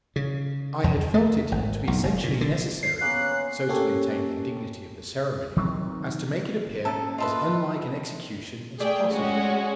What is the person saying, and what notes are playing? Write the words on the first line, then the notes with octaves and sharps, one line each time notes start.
I had felt it to be essentially necessary so to maintain the dignity of the ceremony as to make it appear as unlike an execution as possible.
C#3
E2
A3
G#1
B1
F#1
A#2
D3
C7
A#3 B3 C#4 F#6
F#5 C6 C#6
A#3 C#4 G4 A4 C#5
D#3 F#3 C4
A#3 C#4 A4 A#5
F4 A4 B4 D#5 E5 C6
A3 G#4 D5 G5
G#3 C#4 F#4